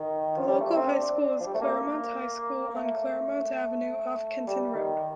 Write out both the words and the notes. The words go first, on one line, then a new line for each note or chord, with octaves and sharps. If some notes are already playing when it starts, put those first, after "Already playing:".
The local high school is Claremont High School on Claremont Avenue off Kenton Road.
Already playing: D#3
F3
G3
A3
C4
D4
F3
G3
A3
A#3
A#3
A3
G3
D#3